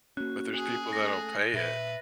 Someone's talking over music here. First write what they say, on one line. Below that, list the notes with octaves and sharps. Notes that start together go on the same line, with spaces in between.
But there's people that'll pay it,
A#3 C#4 F#4 F#6
G#4
A3 A6 A#6
A#2 B4 E5